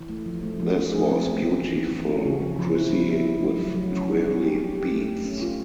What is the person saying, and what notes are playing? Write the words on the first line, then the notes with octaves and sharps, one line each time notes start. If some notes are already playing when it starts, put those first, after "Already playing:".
This was "Beautiful Crissy with Twirly Beads".
Already playing: E3
A3
F3
A3
F3
A3
G#4
C4
C4
E3
E3
E3
E3
C#4
C#3
F3
F3
E4
G3
E4
E4
A3
F#3
F#3
C#4
D#4
G3
G4
G4
G4
A3
A3
C#4
F4